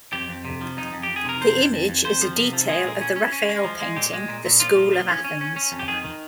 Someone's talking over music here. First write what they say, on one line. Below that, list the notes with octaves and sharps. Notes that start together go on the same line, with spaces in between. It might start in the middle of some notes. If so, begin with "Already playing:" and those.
The image is a detail of the Raphael painting "The School of Athens".
F2 G4
F2
C3
F3
F2 D#4
F2
G4
F2
G#4
C3 A#4
F2 C5
F2
F2
F2
F2 C5
F3
C3
F3
G#3 G#4
A#2
C#4
C#4
C#4
G#3
F3
G#3
A#2 G4
G#3
A#2
A#2
F3 F4
A#2
F3
C#4
C#4
C#4
C#4
F2
G4
D#3 G#4
D#3